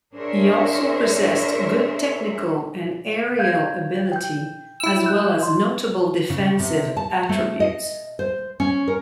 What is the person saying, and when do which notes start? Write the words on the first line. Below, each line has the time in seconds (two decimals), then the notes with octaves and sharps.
He also possessed good technical and aerial ability, as well as notable defensive attributes.
0.13 D4 G#4 A#4 C5 C#5 E5
3.39 F5 G6 G#6
4.12 G5 G6
4.80 E4 E6
5.06 F#6 G6
5.40 D#5 C6
6.30 C#3
6.59 C3
6.97 A5
7.29 A3
7.60 D#5
8.19 C5
8.60 C#4
8.88 A#4